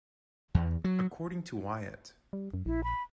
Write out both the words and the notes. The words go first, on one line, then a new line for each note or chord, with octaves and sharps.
According to Wyatt.
E2
F#3
G3
F#2
A#1 E4
B5